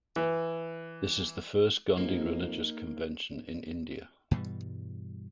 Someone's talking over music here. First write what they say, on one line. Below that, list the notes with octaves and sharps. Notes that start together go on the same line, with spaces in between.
This is the first Gondi religious convention in India.
E3
F2 A#3 D#4
G2 B2 E3 G3